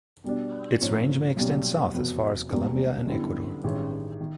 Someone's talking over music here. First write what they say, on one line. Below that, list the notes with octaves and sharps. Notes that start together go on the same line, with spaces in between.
Its range may extend south as far as Colombia and Ecuador.
B2 G3 B3 D4
G#2 F3 A#3 C#4
B1 B2 G3 A#3 C#4
F1 E2 B2 F#3
E1 E2 B2 G3 A#3
F#2 D3 G3 B3 E4
A1 G2 D#3 G#3 C#4
D#3